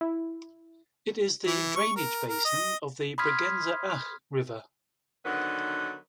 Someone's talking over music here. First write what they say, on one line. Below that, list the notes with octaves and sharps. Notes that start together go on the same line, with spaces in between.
It is the drainage basin of the Bregenzer Ach river.
E4
E3
C#6
A#4
A#4
D#5
B5 C6 D#6 F6 G#6 B6
D3 D#3 F#3 B3 B4